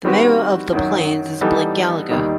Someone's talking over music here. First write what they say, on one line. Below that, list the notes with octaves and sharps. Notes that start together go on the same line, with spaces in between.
The mayor of The Plains is Blake Gallagher.
D#3 G3 C4 F#4 B4
F#2 D#3 F#3
E3 G3 B3 D#4 A4
D#2 D#3 G3 D#4